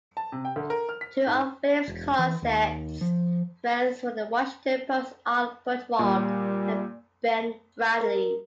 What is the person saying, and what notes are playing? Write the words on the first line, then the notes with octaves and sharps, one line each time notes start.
Two of Williams' closest friends were the Washington Post's Art Buchwald and Ben Bradlee.
A5
C3
G5
D2
A#4
F6
B6
G#2
E1
E3
D#2
F3
A#2 G3
A#4